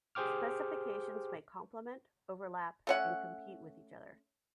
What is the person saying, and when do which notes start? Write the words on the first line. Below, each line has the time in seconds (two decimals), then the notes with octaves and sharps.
Specifications may complement, overlap, and compete with each other.
0.15 G4 G#4 C5 G5 D6 F6
2.87 A3 C#4 F#5